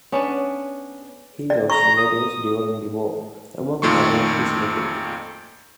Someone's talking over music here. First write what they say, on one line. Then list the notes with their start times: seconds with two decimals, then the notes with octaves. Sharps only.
He lost relatives during the war, among others, his nephew.
0.12 B3 C#4 D4
1.50 D5
1.70 A#5 C#6
1.97 D#6
3.82 F2 A#2 D#3 A3 C6 C#6